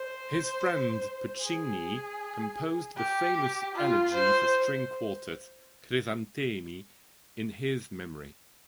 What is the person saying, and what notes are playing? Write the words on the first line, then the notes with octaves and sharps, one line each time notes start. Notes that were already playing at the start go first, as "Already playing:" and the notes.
His friend Puccini composed the famous elegy for string quartet "Crisantemi" in his memory.
Already playing: C5
G#4
G4
F4
C5